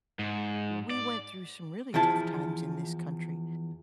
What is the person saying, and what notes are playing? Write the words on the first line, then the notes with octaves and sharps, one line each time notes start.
we went through some really tough times in this country,
G#2
D5
E2 F3 E4 A5